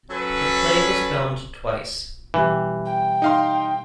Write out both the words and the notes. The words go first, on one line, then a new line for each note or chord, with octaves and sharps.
The play was filmed twice.
F#3 C#4 A4 B4
B2 E3 G3 G4
G5
D#4 F5 C6